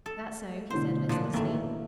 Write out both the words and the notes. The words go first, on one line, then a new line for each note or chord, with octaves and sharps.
"That so?" he said listlessly.
A4
A1 B2 D3 C5
A#2 F3 D4 F#5
G#1 D#3 E3 A3 A#3